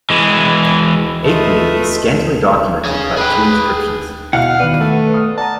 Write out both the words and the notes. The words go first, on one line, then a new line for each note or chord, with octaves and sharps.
Aequian is scantily documented by two inscriptions.
E3 G#3
A3 F4 B4 D#5
G#4 C#5
G#4 B4 G5
B2 E4 F5 F#5 F6 F#6
D#3 B3 B4 D5
A3
D#6 F6
D5 F#5 A5 A#5